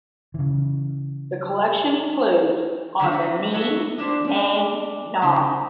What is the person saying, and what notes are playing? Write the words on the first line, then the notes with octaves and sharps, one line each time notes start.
The collection includes "On the Ning Nang Nong".
C#3 E3
A#2 D3 D#3 F#3 G3 A3
B3 C4
F#3 B3 F#4 A4 E5
A#3 D4 G4 C5
G3 D4
C#3 D#4 C5